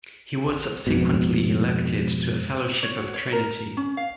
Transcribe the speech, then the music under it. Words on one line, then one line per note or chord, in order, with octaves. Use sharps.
He was subsequently elected to a Fellowship of Trinity.
F2 G#2 B2
C#5
F#4
C#5
A#4
C#4
F5